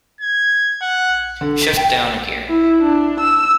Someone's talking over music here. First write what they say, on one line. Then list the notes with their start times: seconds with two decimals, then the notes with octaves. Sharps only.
Shift down a gear.
0.21 G#6
0.82 F#5
1.41 D3
1.62 B6
1.77 G5
2.50 E4
2.82 D4
3.20 E6